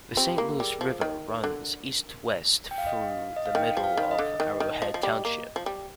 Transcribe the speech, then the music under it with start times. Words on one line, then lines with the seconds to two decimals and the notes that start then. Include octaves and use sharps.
The Saint Louis River runs east-west through the middle of Arrowhead Township.
0.11 F4
0.16 C4 G4
0.38 A#3
0.52 A#4
0.59 G3 G#4
0.81 F3
1.01 D#3 A#4
1.44 D3
2.71 G5
2.78 F5
2.86 D#5
2.93 F5
3.36 D#5
3.46 F5
3.55 D#3 G5
3.77 F3
3.84 F5
3.97 D#3
4.11 D#5
4.19 D3
4.40 D#3
4.60 D#3
4.82 F3
4.94 F3
5.03 G3
5.25 A#3
5.56 F3
5.66 G3